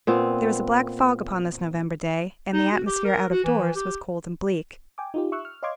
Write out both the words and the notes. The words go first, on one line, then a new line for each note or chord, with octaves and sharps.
There was a black fog upon this November day, and the atmosphere out of doors was cold and bleak.
A#2 B3 C4
D#4
F#4
G4
A#4
F#4
E3
G4
G5 G#5 D6
D#4 F4 G4
E5 C#6 E6 F#6
F6
C#5 D#5 F5 C6 D6 G#6